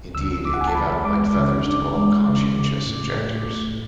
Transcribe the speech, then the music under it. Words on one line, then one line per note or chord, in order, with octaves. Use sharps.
Indeed, it gave out white feathers to all conscientious objectors.
C#2 E6
C#2 D6
F#5
G#5
A5
C#2 B5
G#3 D6
C#3
D4
G#3
C#3
C#3
A2
A3
A2